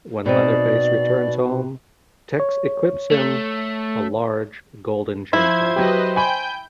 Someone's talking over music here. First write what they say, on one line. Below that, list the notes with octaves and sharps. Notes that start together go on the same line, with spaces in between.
When Leatherface returns home, Tex equips him a large golden chainsaw.
B2 C4 D#4 D5
C#5
A3
F3 E4 C5 G#6
F#3 G4 B4 D#5
G5 G#5 B5 G6